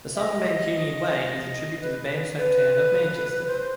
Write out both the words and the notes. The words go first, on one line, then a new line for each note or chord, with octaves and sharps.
The song "Mancunian Way" is a tribute to the band's hometown of Manchester.
E5
D#5
B4
B4
C5